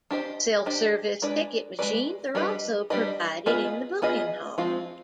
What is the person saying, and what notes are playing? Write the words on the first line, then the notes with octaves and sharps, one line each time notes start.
Self-service ticket machines are also provided in the booking hall.
D4 G4 C5 D#5
D4 G4 C5 D#5
G#3 D4 G#4 B4 D5
G#3 D4 G#4 B4 D5
G3 D4 G4 B4 D#5
G3 D4 G4 B4 D#5
B3 F4 G#4 B4 D#5
B3 F4 G#4 B4 D#5
F3 G#3 C4 F4